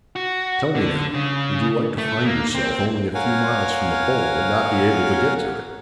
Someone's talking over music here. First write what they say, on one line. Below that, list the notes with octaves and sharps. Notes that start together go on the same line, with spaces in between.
"Tell me, now, would you like to find yourself only a few miles from the pole and not be able to get to it?"
F#4
D3
C#3
A3
A#3
C4
A#4 C#5 F5 F#5 G#5